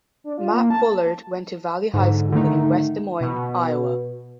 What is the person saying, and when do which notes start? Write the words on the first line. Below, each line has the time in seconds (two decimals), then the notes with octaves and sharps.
Matt Bullard went to Valley High School in West Des Moines, Iowa.
0.24 D4
0.38 F4
0.54 A#3
0.70 A5
1.94 G#2 D3
2.32 D3 D#3 A3 D#4
3.21 B2